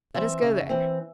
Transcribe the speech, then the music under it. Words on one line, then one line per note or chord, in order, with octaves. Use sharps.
"Let us go there."
E3 C4 E5
C#3
E3 C4